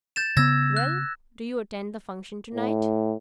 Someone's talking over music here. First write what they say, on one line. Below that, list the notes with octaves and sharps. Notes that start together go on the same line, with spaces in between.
Well, do you attend the function to-night?
G6 A6 E7
C#3 B3 E6 G#6 A#6
F#6
A2